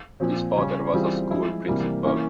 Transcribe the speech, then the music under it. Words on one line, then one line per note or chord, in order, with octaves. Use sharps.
His father was a school principal.
A#2 F3 C4
C#3 G3 C#4
E3 G3 C4 F4 G#4
F3 G#3 E4
C3 E3 G3 A#3
E3 A#3 C#4 E4 A#4